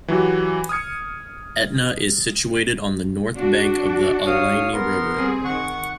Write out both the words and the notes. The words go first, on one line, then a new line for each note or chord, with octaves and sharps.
Etna is situated on the north bank of the Allegheny River.
E3 F#3 F#4 G4
D#6 F6 G#6 C#7
D4 F#4
C#5 F5 D#6
B3 A#4 C6
G3 C4 G#4
D#3 F#5 C#6